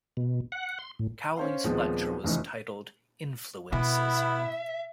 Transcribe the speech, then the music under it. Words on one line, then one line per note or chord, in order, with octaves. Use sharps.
Cowley's lecture was titled "Influences".
B2
F#5
C6
A2
C#4 C5 F5
D#2 A#2 F3 G#3 B3 C4
F1 E2 C#3 E3 D#4
B2 B3 E4 E5